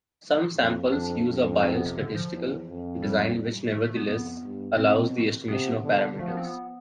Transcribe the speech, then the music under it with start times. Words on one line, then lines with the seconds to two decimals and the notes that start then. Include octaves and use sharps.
Some samples use a biased statistical design which nevertheless allows the estimation of parameters.
0.57 F2
0.92 F2 D4
1.28 F2
1.63 C4
1.74 B3
1.86 C3
1.98 D3
2.15 F3
2.33 E2
2.67 F2
3.02 G3
3.72 A3
3.85 A3
3.97 B3
4.08 F2 B3
4.43 G2
4.78 B2 C4
5.48 C3 B3
5.84 D3
6.19 F3 A3
6.28 B3
6.37 C4
6.45 B3